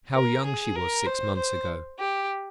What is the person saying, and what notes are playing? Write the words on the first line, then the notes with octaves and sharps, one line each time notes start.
How young she was six months ago!
A#4
G#4
A#4
C5
C5
G4